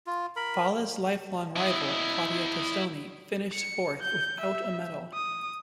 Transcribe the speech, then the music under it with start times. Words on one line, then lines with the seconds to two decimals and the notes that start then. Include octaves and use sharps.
Valla's lifelong rival, Claudia Testoni, finished fourth, without a medal.
0.06 F4
0.36 A#4 B5
1.56 E4 D#5
3.53 C#7
4.01 G6
4.41 E5
5.14 D#6